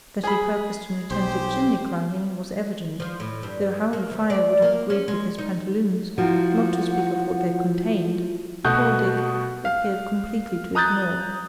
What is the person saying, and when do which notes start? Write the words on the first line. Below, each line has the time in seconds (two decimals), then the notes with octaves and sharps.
That he purposed an attempt at chimney-climbing was evident, though how the fire would have agreed with his pantaloons, not to speak of what they contained, poor Dick appeared completely to ignore.
0.24 G#4 B5
1.11 B1 G4 C5
3.00 F3
3.20 A2
3.43 G2
3.93 A#3
4.10 D2
4.30 D5
4.62 A#3
4.90 C#4
5.08 G#3
5.38 D#4
6.18 F3 E4 F#4 F#5
8.64 B2 A3 F#4 D#6 F#6 G6
9.65 F5
10.75 A#5 D#6 F#6 G6 A6